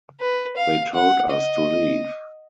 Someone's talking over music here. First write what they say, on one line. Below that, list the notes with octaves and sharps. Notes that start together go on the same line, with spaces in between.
They told us to leave.
B4
F5
F#5
D#5